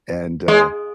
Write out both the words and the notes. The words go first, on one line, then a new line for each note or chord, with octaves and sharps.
and, uh
G#3